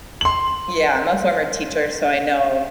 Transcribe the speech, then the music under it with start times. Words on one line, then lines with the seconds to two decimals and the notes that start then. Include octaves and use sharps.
Yeah, I'm a former teacher, so I know
0.21 C6 F#7